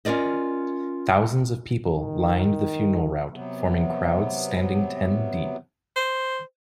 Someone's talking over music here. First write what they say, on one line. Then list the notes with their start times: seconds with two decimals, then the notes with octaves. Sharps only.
Thousands of people lined the funeral route, forming crowds standing ten-deep.
0.05 C#4 F4 A#4 D5 D#5
1.94 D#3
3.30 C3 F#3 B3
5.96 C5